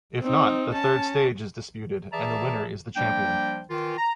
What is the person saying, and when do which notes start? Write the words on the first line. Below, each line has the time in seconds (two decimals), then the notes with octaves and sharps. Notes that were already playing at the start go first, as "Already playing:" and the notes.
If not, the third stage is disputed, and the winner is the champion.
0.22 C4 D#4
0.74 C#4 A5
2.12 E3 G#4 D5 E5 A5 A#5
2.96 F3 G3 A#3 D4 G5
3.70 D#3 E3 F4
3.98 A#5